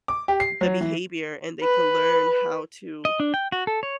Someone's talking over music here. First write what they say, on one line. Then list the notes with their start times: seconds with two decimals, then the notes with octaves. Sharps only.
the behavior and they can learn how to
0.08 D6
0.28 G4
0.40 C7
0.61 F#3
0.81 E3
1.63 B4
3.05 D#5
3.20 D4
3.34 G5
3.52 F#4
3.67 A4
3.83 C#5